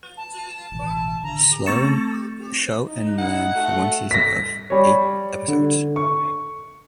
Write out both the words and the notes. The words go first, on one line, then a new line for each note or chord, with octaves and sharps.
Show, and ran for one season of eight episodes.
A5
A1 B2 E3
D3 A#5
A3 C4 C#6 A6 C#7 E7
D#4
F#5
A3 F#4
A#6 B6
G3 C#5
D3
C#6